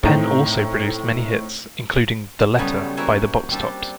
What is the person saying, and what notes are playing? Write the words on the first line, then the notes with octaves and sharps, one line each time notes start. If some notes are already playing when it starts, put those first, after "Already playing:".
Penn also produced many hits, including "The Letter", by the Box Tops.
A2 C4 D#4 G5 A#5
C#3 F#3 G3 A3 B3 F4
A#3 E4 F#4 C5 E5 G#5
G3 C4 D4 F4